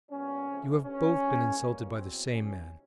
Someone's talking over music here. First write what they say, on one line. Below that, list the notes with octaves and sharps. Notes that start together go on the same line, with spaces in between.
You have both been insulted by the same man.
A#2 G3 B3 C#4
C#3 F3 A3 C4
G2 D3 G3 C#4
F#2 C#3 E3 G#3
B2 G3 A#3
E2 B2 F#3 C4
C3 D#3 G3 C#4